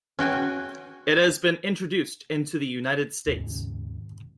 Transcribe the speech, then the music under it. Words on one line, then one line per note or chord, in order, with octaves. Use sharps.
It has been introduced into the United States.
C#4 F#4 G5 G#5
D#2 G#2 C#3